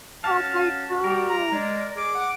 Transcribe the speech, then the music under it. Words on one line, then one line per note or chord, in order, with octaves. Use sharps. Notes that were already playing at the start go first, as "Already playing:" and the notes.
Oh my gosh.
C#4 F#4 F5 A5
G3 G4 A#4
A#5
G#3 D5
G#4 D6
F#5